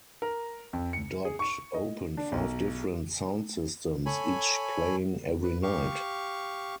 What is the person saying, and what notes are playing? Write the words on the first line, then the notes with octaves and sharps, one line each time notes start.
Dodd opened five different sound systems, each playing every night.
A#4
F2
C#7
G#4
C#6
D#5
D4
B1
A4 C#5 G#5 B5
B4
G4 F5 C#6